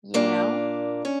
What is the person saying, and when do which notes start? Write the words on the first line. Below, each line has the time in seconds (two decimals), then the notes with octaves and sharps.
You know?
0.14 A#2 A#3 D4
1.05 C#4